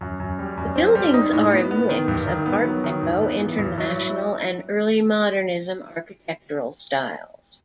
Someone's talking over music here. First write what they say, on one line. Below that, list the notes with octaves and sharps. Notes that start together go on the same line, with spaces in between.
The buildings are a mix of Art Deco, International, and early Modernism architectural styles.
F#2
F#2
G3
F#2
C4
G3
D#4
A2
B3
B3
D#3
G2
D#3
B3
F#3
D#3
G2
B3
E3
G2
F#3
E4